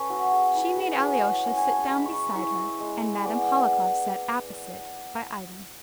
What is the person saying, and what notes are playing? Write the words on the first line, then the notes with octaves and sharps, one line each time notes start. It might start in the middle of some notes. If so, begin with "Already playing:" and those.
She made Alyosha sit down beside her, and Madame Hohlakov sat opposite, by Ivan.
Already playing: C#4 A4 B4 C#5
F#3 F#4
G#4
E4 B4
G#4
F#3 G#4
F#5
C#4 G#5
G#5
A5
A5
G#3 B5
C#6
B5
E4 C#6
G#3
B3 D5